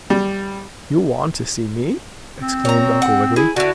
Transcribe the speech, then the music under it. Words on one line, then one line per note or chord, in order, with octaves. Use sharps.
"You want to see me?" exclaimed Uncle Wiggily.
G3
C4
C#5 A#5
F#5
E4 G#4
D3 E4 F#4